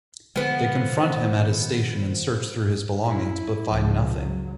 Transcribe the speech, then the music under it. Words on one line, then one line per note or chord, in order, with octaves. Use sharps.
They confront him at his station and search through his belongings but find nothing.
D3 F3 G#3 B3
A#2 D#3
E4
C#2 F3
F#3